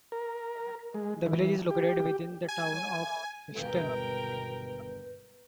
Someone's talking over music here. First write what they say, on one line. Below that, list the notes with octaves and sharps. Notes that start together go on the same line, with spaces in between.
The village is located within the Town of Hixton.
A#4
G#3
E3
G4
G#5
G1 D#2 G#2 B2 A#4 B4 G5